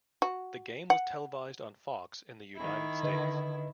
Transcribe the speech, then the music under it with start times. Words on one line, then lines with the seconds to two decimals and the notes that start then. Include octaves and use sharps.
The game was televised on Fox in the United States.
0.22 F#4
0.90 F#5
2.55 D#3 E4
3.03 D3 B4 D#5